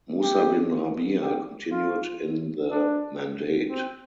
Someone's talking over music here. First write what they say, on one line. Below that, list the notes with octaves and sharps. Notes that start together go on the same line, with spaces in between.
Musa bin Rabia continued in the mandate.
G4
G4
F4
D4
C4